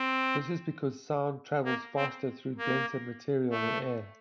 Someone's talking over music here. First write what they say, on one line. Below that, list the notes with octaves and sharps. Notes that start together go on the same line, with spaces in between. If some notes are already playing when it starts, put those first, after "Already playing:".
This is because sound travels faster through denser material than air.
Already playing: C4
A#3
C4
A#3
A3